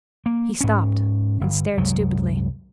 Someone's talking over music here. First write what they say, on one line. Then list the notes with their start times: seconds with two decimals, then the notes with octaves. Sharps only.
He stopped and stared stupidly.
0.26 A#3
0.61 G#2 C#4
1.41 G1
1.77 C2 F#2 F#3 G#3